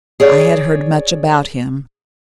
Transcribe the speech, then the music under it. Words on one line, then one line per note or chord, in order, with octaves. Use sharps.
I had heard much about him.
G#4 C#5 D5